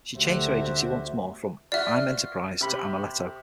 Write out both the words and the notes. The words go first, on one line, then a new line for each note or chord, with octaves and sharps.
She changed her agency once more from I'm Enterprise to Amuleto.
D2 D3 F#4 G4 C5 E5
F4 F#4 D5 E5
C3 B5